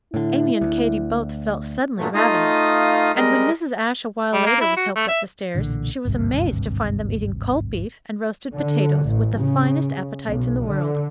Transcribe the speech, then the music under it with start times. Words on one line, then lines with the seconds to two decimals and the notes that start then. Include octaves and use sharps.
Amy and Katy both felt suddenly ravenous; and when Mrs. Ashe awhile later was helped up the stairs, she was amazed to find them eating cold beef and roasted potatoes, with the finest appetites in the world.
0.14 A2 D3 E4
0.61 D2
1.98 G2 A#2 F#3 A3
2.14 A3 D#4 F4 F5 D#6
3.16 G3 G#3 A#4 D#5
4.33 G3
4.46 A#3
4.61 E4
4.77 F#4
4.96 A3
5.08 E5
5.55 B1 A#2 D3 E3
6.05 G#1 D2 G2 C3
8.55 D3
9.04 A1
9.39 C#3
10.28 B1
10.68 D3